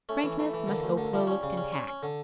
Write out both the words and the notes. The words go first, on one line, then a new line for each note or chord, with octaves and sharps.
Frankness must go clothed in tact.
A3 C#4
E3 A3
E3 A3
E3
D3 A#3
D2
D3
F3 A3
G3 C#4
C#3
C#4
C#4
C#4
D3